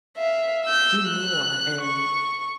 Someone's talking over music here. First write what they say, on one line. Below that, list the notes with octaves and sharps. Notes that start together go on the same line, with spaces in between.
do more and
E5 F5
E6 G6
F#6
C#6